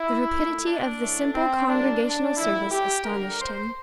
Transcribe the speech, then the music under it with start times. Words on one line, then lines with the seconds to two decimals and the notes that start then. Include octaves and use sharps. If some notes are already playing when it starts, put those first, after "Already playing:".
The rapidity of the simple Congregational service astonished him.
Already playing: E4
0.31 A#2 A3
0.65 D4
1.00 A2 E3 A3
1.34 C4
1.68 A2 G3 A#3 D4
2.03 D4
2.37 A2 F3 A3 E4
2.70 G4
3.05 D3 G3 A#3 A#4
3.39 C5